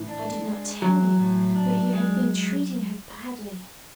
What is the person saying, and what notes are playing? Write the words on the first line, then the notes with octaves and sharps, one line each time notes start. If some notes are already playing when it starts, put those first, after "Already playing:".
I did not tell you, but you have been treating her badly.
Already playing: A2 E3
D4
G#3
E3 F#3
A2
D4
G#3